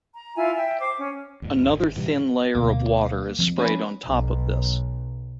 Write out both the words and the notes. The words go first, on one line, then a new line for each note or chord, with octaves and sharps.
Another thin layer of water is sprayed on top of this.
A#5
E4 F4 E5 G#5
E5 G5
C5 D6
C#4
D#2 G#2
G#1 D#3
A2 C3 E3 G3
D2 B2 A#3
F3 C4
A#3 C#4 B4
B1